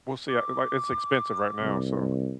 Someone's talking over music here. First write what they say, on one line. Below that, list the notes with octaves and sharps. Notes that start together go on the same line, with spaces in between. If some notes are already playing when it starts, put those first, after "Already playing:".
we'll see, I like, it's expensive right now, so
D6
C2